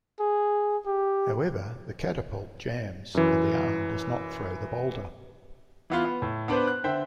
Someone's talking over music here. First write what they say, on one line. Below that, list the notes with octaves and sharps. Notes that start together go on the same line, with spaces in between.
However, the catapult jams and the arm does not throw the boulder.
G#4
G4
F#2 E3
E3 B3 F4
B3
A2
B3 D4 B4 C5
F#6
D3 C5 E5 G5